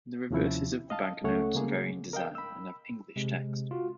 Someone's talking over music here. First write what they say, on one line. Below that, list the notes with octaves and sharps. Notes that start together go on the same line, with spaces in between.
The reverses of the banknotes vary in design and have English text.
D#2 C3 F3 C#4 E4
D#5 F5 A5
C#2 A3 C#4 A4 C#5 F#5
C#3 G#3 A#3 G#4
A#4 D#5 F5 G5
B5 E6
C3 G#3
F4 F#4